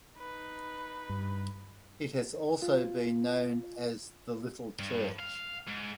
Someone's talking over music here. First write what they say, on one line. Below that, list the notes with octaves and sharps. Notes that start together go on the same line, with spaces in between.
It has also been known as The Little Church.
D#4 B4
G2
F4
G2
F5
G#2